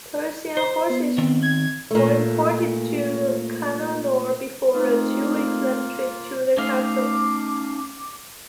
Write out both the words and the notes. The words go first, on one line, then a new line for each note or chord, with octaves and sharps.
Persian horses were imported to Cannanore before a two-week land trip to the capital.
C5
B3
D#3 C4
G#6
A#2 A3
A3 A#3 C4 D#4 F4
A3 C#4 D#4 F5 D6 F6 C7